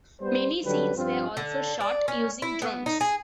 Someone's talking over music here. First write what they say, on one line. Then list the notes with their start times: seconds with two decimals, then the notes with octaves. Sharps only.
Many scenes were also shot using drones.
0.20 G3 B3 C5
0.64 D3 F#3 G3 B4
0.96 G2 F3 C4 F4
1.37 D3
1.81 D5
2.08 C#4
2.42 E4
2.62 B3
2.86 D#4
3.01 G#4